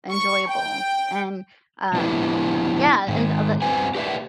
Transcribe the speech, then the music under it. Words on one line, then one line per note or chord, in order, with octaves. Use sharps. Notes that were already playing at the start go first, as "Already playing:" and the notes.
enjoyable, and, um yeah, and l like,
C#6
G5
F3 B3 D4 E4 G4 B4
G#2 D#3
G2 C4 F#4 B4 G#5
G4 B4 D5 E5